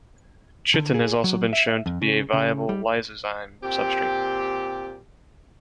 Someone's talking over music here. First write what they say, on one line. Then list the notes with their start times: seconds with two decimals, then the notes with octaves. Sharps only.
Chitin has also been shown to be a viable lysozyme substrate.
0.74 D3
0.94 G#4
1.24 F#3
1.53 E5
1.86 F2
2.02 C#3
2.33 C#3
2.69 G3
3.63 A#2 C4 G4